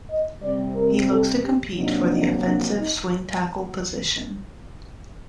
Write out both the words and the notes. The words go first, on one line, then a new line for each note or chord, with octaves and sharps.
He looks to compete for the offensive swing-tackle position.
D#5
C3 G3 C4 D5
A#4
A4
G4
C3 F#3 A#3 D4 D#4
D#4
D4
D#4